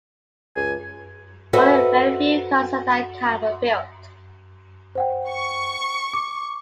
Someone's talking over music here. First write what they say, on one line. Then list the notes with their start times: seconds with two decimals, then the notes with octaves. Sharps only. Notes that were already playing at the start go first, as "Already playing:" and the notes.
Only very few cars of that kind were built.
0.56 C#2 G#5
1.53 F#4 A4 B4 C5 D#5 E5
4.95 C5 F#5 G5
5.28 C#6
6.13 D6